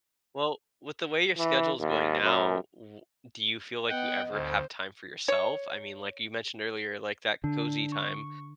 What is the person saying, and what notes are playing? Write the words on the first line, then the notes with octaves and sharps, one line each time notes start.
Well, with the way your schedule is going now, w do you feel like you ever have time for yourself? I mean, like you mentioned earlier, like, that cozy time
E3
D#2
F#2
B3 D#5 F#5 G5
D2 C5
C#5
D3 D4
C#6